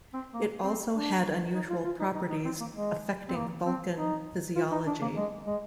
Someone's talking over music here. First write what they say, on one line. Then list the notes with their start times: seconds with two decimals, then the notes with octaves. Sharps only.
It also had unusual properties affecting Vulcan physiology.
0.14 C4
0.34 A#3
0.64 C4
0.94 D4
1.55 D#4
1.70 F4
1.85 F4
2.00 D#4
2.15 D#4
2.30 D#4
2.45 C4
2.60 A#3
2.75 G#3
3.29 C4
3.36 A#3
3.66 C4
3.96 D#4
4.56 F4
4.71 D#4
4.87 D4
5.01 A#3
5.16 G#3
5.47 G#3